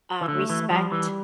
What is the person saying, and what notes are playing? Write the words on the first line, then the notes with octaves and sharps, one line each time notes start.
uh, respect,
E3
D3 A3
E3
A3
F3 G3
E3